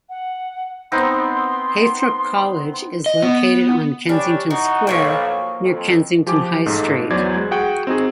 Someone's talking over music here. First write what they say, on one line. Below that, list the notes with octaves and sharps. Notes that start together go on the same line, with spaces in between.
Heythrop College is located on Kensington Square, near Kensington High Street.
F#5
B3 C4 D#4 C6
D#5
B3
G3 C#4 D4 G4
E3 D#4 F#4
B1 F3 A#3 C#5
F2
F3 G4 G#5 D6
A1 G#2 D#4 A4
E2 F#3 E4 C5 D5 G#6
G#3
F#4 G#4 F#5 G5
C4 D#4 F#4 G#4